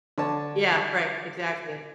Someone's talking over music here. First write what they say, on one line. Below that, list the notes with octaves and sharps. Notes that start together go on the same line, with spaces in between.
Yeah, right, exactly.
D3 C#5 A5